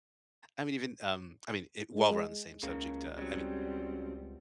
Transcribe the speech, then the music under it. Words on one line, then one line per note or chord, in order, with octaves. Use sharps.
I'm even, um, I mean, it while we're on the same subject, uh, I mean,
G#3
C#2 C#3 A#3
C#3 F#3 G3 C4